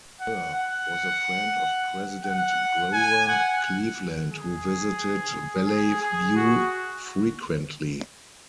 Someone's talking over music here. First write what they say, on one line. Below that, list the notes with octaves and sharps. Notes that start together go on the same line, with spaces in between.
Burr was a friend of President Grover Cleveland, who visited Valley View frequently.
F#5
F#5
F#5
G#5
F#5
G#4
G#4
G#4
F#4